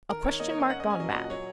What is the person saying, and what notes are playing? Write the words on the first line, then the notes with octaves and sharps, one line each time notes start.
A question-mark gone mad.
D#3 A#4
D#4 C#5
A#3 D#5
C#5
A#3
D#5
C#4 F#5
D#5
C#4
G#5
F#3 D#5
F#5
A#2 D#5
F#3 C#5